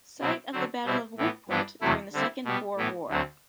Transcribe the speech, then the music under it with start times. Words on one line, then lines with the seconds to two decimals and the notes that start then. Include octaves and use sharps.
Site of the Battle of Witpoort during the Second Boer War.
0.20 B2 F#3 C4 E4
0.52 D3 F#3 C4
0.85 B2 G3 C4 E4
1.17 A2 E3 B3
1.49 G2 E3 B3 D4
1.81 E2 C3 F#3 A3 E4
2.12 D3 G3 C4 E4
2.45 B2 G3 B3
2.76 A2 E3 B3
3.09 D2 D3 F#3 C4